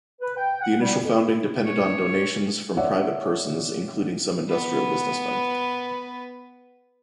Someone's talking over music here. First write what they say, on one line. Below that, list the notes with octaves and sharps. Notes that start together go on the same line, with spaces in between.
The initial founding depended on donations from private persons including some industrial businessmen.
B4
G5
F#5
G3
F2
E4
C#5
C#5 D5 E5 F#5
B3 B4